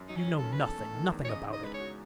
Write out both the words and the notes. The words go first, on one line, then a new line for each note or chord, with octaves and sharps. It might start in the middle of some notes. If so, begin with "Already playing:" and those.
You know nothing, nothing about it....
Already playing: F#2
F#3 D#4
C#4
D#3
A4
C#4
B4
E2 A4
A3
D#3
E2
C#5
C#3 D#5
D#4
D#5
G#3 B4
C#5
F#4